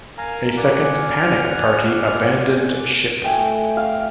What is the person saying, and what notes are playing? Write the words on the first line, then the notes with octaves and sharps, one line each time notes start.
A second "panic party" abandoned ship.
A#4 F5 G#5 A#5
D5 F#5 G#5
F6
A2 F#4 G5 G#5
F5